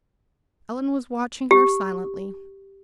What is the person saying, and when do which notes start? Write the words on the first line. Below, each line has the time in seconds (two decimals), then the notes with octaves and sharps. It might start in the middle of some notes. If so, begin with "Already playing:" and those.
Ellen was watching her silently.
1.51 G4